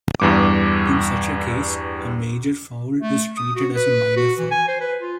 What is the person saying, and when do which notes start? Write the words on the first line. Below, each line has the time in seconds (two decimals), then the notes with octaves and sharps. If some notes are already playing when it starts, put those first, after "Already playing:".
In such a case, a major foul is treated as a minor foul.
0.20 E2 G2 D6
3.00 A3
3.37 D#6
3.56 F#4
3.75 B4
4.17 F#4
4.39 E3
4.51 G#5
4.68 C5
4.81 B4
5.00 F4